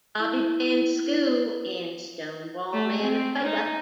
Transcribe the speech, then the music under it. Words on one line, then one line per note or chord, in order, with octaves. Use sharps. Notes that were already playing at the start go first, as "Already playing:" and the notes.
Bobby Bend School in Stonewall, Manitoba.
E4
A3
C4
D#4